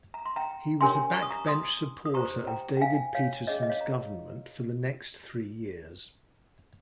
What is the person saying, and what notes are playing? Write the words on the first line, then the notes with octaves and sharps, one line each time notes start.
He was a backbench supporter of David Peterson's government for the next three years.
A#5
C6
G5 A#5
C#4 G4 A#4 C#5 G#5 C6
C#6
D#6
A#5 C#6
C6 D#6
D#6
G4 C5 A#5 C#6
G5 A#5
G5
F5 G#5
C#5 F5
C#4 G#4 C#5 D#5
D#5
C#5 F5
A#5